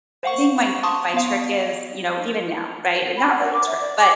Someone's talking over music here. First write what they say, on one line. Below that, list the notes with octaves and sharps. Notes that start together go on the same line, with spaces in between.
I think my my trick is, you know, even now, right? And not really a trick, but
C5 F5 F#5 C#6
A5 C6 C#6 D#6
B3 F5
B5
F#5
F#5
D6
E5
D5
D6